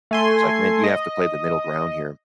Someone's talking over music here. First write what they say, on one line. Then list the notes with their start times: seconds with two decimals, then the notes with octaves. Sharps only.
it's like, "Man, you have to play the middle ground here
0.11 A3 G#5 C6
0.83 D#5